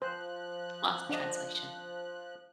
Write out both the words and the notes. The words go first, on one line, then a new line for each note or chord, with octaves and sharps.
lots of translation.
F3 C5 F#6
D4 D#5